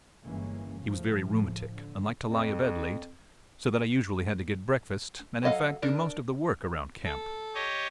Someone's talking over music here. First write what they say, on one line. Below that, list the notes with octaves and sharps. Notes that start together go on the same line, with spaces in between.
He was very rheumatic and liked to lie abed late, so that I usually had to get breakfast, and, in fact, do most of the work around camp.
G1 E3 G#3 A#3 C#4
A2 C#3 F3
D3
F2
F#3 A4 D#5 F5 F#5
D4 A#4
A4
G4 C#5 D#5